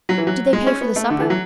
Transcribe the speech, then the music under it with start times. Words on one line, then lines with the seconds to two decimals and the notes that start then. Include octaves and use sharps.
"Did they pay for the supper?"
0.09 F#3
0.18 E3
0.27 F#3
0.53 G#3
0.67 C#4
0.81 B3
0.96 A3
1.10 D3
1.20 E3
1.30 F#3